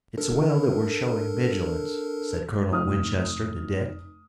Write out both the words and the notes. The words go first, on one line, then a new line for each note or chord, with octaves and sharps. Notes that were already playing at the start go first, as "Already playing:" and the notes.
"It's well that we're showing vigilance," said Colonel Winchester to Dick.
D4 A4 A#4
F1 D#4 D#6 F6